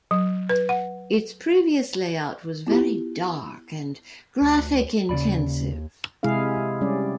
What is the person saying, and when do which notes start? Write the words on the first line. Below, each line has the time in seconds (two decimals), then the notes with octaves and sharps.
Its previous layout was very "dark" and graphic-intensive.
0.11 F#3
0.49 B4
0.69 F#5
2.67 B3 E4 F4 G4
4.41 D2
5.09 D#2 C#3 D5 B5
6.23 C3 G#3 E4 G#4 F5
6.81 G3 G#3 C#4 D5